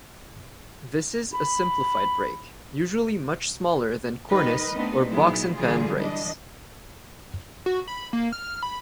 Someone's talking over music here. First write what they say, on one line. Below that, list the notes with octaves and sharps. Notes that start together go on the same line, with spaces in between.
This is a simplified brake, usually much smaller than cornice or box-and-pan brakes.
B5
D#3 G3 D#4 A#4 B4 D#5
A3 B3 C4 D4 D#4 B4
A#2 F#3 B3 D#4 E4 G#4
D3 E3 F#3 G3 F4 G#4
E3 D4 D#5
F#4
B5
A#3
F6
B5